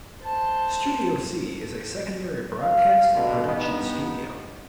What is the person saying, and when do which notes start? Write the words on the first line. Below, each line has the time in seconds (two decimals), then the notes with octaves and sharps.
Studio C is a secondary broadcast and production studio.
0.21 C5 A5
2.60 F5
3.14 G2 B2 D3
3.47 G2 B3 D#4